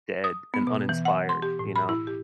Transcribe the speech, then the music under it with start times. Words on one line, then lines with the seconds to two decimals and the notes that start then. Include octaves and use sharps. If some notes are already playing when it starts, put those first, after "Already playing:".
dead and uninspired, you know?
0.24 D#6
0.54 B3
0.67 B2
0.89 E3
1.05 F#5
1.29 C6
1.42 G4
1.59 A2
1.76 B5
1.89 E4
2.07 G4